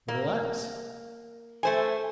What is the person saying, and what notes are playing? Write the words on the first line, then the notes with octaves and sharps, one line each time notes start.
But, alas!
A#3
A3 C5 G#5